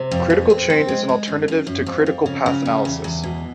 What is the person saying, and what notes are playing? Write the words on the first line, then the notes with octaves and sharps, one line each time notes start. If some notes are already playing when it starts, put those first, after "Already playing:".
Critical chain is an alternative to critical path analysis.
Already playing: C3
F2
B2
C4
C4
G#3
G#3
F#2
F#2
F#2
F2
F2
C#3
C#3
G3
E2
E2
B2